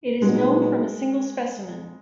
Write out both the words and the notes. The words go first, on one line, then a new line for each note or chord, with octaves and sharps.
It is known from a single specimen.
A#2 F#3 G#3 B3 D#4 F#4